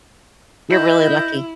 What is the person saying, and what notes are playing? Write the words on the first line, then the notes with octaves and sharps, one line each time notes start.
You're really lucky.
E4 B4 D#5 G6